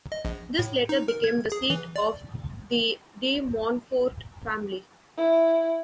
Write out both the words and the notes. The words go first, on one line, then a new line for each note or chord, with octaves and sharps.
This later became the seat of the De Montfort family.
D#5
A#1
A2
D#4
A#4
G#6
G#4
E3
D5
E4